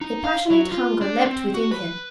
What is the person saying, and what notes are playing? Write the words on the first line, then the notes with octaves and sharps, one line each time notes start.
A passionate hunger leapt within him.
D#4
F5
F#3
F4
D4
C4
F#4
B4